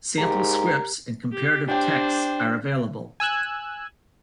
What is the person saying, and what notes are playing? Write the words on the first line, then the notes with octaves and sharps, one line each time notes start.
Sample scripts and comparative texts are available.
G#2 G4 A#4
G4
D4 G4 C5 G5
G#5 E6 F#6 G#6